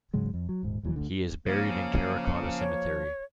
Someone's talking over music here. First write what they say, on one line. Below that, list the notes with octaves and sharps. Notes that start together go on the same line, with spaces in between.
He is buried in Karrakatta Cemetery.
G#2 C#3 F#3 G#3
F2
F#3
D#1 G#2
E1 D#2 E3 F#3
D2 D3
C#3 F3 A#3 C#4
C#5